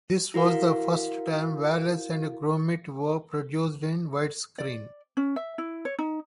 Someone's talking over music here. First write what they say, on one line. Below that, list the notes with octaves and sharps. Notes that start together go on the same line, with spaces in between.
This was the first time Wallace and Gromit were produced in widescreen.
E4 F#4 A#4 F5
D5
C#4
E5
E4
C#5
D#4